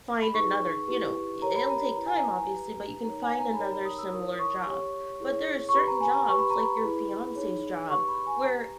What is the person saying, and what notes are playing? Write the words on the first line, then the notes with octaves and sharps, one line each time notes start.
find another you know, i i it'll take time, obviously, but you can find another similar job. But there are certain jobs, like your fiancé's job where,
B5
D#4 G#4 B4 C#6
E4 G4 B4
G4 A#4 C#5 A#5
B5
A#5
E4 G4 B4 A#5
G#5
A#5
G4 B4
D#4 A#4 C#5 A#5
G#5
A#5
B5
D#4 G4 A#4 C#5 A#5
B5
D#6
E6
E4 A#4 C#5 D#6
D#6
C#6
G4 C#5
E4 G#4 C#5
C#6
G4 B4 B5
A#5
G#5
A#5
G4 B4 C#6
B5
A#5
B5
E4 G#4 B4
D#4 G#4 C#5
G4 B4 C#6
B5
G#5
G4 B4 A#5